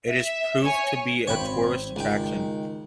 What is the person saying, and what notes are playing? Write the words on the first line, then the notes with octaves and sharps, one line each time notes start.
It has proved to be a tourist attraction.
E5
C#5 G#5
G#1 C4 C#5 G5 B5
C#2 D#3 G5